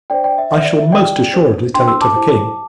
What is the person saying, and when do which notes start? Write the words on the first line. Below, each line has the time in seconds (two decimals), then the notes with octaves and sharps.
I shall, most assuredly, tell it to the King!
0.10 D4 C5 D5 G5
0.24 D5 G5
0.38 E5
0.51 G4 C5 E5
0.65 D5
0.78 E5
0.92 G4 D5 G5
1.33 D4 C5
1.74 D4 C5 G5 C6
1.88 C6 E6
2.01 A5 D6
2.15 E4 G4 C5